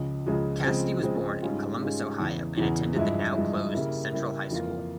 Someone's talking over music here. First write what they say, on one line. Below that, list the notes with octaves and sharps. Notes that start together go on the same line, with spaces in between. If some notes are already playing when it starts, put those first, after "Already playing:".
Cassady was born in Columbus, Ohio and attended the now closed Central High School.
Already playing: C#2 C#3 F3 G#3
C#2 C#3 F3 G#3
C#3 F3 G#3 C4
C#3 F3 G#3 C4
G#2 G3 C#4 F4 G#4
G#2 G3 C#4 F4 G#4
E2 C#3 E3
E2 C#3 E3
G2 F3 G#3 E4
G2 F3 G#3 E4
C#3 G3 A#3 E4 A#4
C#3 G3 A#3 E4 A#4
F2 E3 A#3 F4